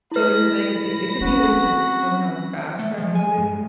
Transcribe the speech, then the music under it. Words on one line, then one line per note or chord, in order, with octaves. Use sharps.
so, you're saying it it could be a way to somehow fast-track voting?
E4 B4 B5 A#6
C4 C#4 F#4
A3
F3
G#5
G2